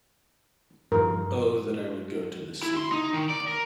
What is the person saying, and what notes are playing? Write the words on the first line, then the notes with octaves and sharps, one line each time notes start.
O that I would go to the sea!
G2 F3 A#4
E4
C6
D#4
D#3
D5
A#4